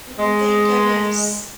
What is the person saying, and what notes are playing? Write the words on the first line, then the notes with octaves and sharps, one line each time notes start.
Mm, thank goodness.
G#3